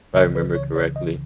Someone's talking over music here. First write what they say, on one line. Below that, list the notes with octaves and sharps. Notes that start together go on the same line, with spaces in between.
I remember correctly.
C#2 C#3 E3 D#5
B4
C#5
C#5
D#5